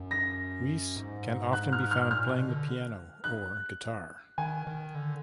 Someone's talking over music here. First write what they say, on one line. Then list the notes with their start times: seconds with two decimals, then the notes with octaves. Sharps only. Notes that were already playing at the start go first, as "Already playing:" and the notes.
Wees can often be found playing the piano or guitar.
Already playing: F#2
0.11 A#6
0.96 G#2
1.53 F#6
1.73 F6
1.91 F6
2.10 A#2 F6
2.29 B2
2.48 D3
3.24 F#6
4.38 D#3 G#5
4.67 D#3
4.95 D3